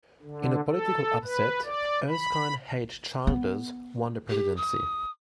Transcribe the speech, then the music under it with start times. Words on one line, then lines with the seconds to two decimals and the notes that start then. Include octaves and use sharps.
In a political upset, Erskine H. Childers won the presidency.
0.22 D3
0.68 A4
1.24 B4
1.64 D5
2.09 B5
3.27 B3
4.30 G4
4.57 D#6